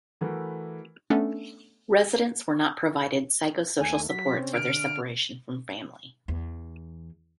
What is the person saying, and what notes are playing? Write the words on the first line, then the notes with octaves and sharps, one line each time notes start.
Residents were not provided psychosocial supports for their separation from family.
E3 A3 F#4 A#4 B4
A3 B3 C#4 D4 A4
D#2 A3 G#5
F#3 B6
C3 C4 C#4
D3 F6 D7
E2